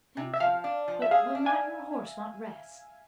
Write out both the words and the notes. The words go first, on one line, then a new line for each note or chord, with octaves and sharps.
"Thank you; but will not your horse want rest?"
C3
E5
F3 F5
D4
F3
E5
G#4 F5
D4
G#5